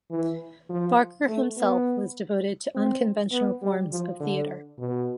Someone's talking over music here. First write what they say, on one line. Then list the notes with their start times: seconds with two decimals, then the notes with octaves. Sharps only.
Barker himself was devoted to unconventional forms of theater.
0.10 E3
0.69 F3
1.28 A3
1.57 B3
2.75 C4
3.32 B3
3.62 G3
3.92 F3
4.20 D3
4.79 B2